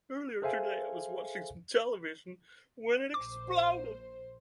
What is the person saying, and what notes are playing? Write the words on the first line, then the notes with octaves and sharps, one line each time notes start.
Earlier today I was watching some television when it exploded!
G#4 A4 C5 E5 F5 G#5
A#1 C5 D6